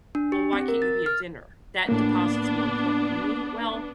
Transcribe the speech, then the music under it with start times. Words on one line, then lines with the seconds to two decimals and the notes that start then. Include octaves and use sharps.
"Well, why can't you be at dinner? That deposit's more important than me?" "Well,
0.15 D4
0.32 G4
0.53 C4
0.68 A#4
0.82 A6
1.06 F6
1.89 A2 A#3 B3 D4